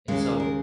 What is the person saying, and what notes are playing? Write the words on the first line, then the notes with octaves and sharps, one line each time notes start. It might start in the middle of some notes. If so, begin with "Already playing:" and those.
And so,
D#2 C#3 G#3
A#4